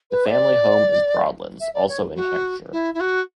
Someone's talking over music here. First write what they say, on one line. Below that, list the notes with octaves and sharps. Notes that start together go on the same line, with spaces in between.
The family home is Broadlands, also in Hampshire.
B4
E5
D5
E5
D5
C#5
F#4
E4
E4
F#4